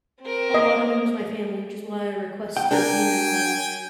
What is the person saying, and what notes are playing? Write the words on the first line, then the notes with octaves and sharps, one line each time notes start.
a lot of members of my family, which is why I requested, you know, a
C4 A#4
D#5
G5
D4 A#4 G5 G#5